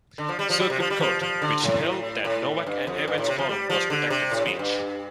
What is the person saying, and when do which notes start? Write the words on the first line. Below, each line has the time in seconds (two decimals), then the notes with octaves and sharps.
Circuit Court, which held that Novak and Evans's column was protected speech.
0.18 D3
0.29 F3
0.39 G3
0.50 F3
0.60 G3
0.70 C3
0.80 F3
0.90 G3
1.00 F3
1.21 F3
1.42 D3
1.63 A2
2.25 A2
2.66 G2
2.87 F2
3.08 G2
3.18 A2
3.28 C3
3.38 F3
3.49 G3
3.70 F3
3.90 D3
4.10 C3
4.31 A2
4.45 F2
4.59 G2